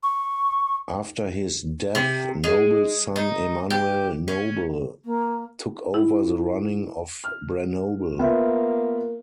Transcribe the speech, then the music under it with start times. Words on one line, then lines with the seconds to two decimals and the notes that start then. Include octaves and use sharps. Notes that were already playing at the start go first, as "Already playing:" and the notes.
After his death, Nobel's son Emanuel Nobel took over the running of Branobel.
0.03 C#6
1.95 C3
2.44 G#3
3.16 D#4
3.70 G4
4.28 C#4
5.04 A#3
5.94 E4
7.24 F6
8.19 A#3 B3 F4 E5